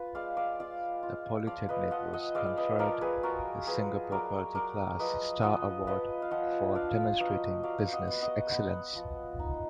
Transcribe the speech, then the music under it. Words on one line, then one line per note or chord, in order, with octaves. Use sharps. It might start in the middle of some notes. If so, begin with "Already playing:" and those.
The polytechnic was conferred the Singapore Quality Class Star Award for demonstrating business excellence.
Already playing: F4 B4
G#3 D5 F5
D5 F5
F4 D5 F5
F4
F3 D5 F5
B4 D#5
F3 D#5 F#5
D#5 F#5
G#3 D5 F5
B4 D#5
F3 A#4 D5
G#4 B4
F4 F#4 A#4
F#3 G#4 B4
F#3 A#4 D5
F#3 A#4 D5
F3 B4 D#5
F3 D#5 F#5
F3 B4 D#5
F5
F3 D#5 F#5
D4 D5 F5
F#3 B4 D#5
F#3 D5 F5
D#5 F#5
B3
D#5 F#5
B3 D#5 F#5
F3
D#4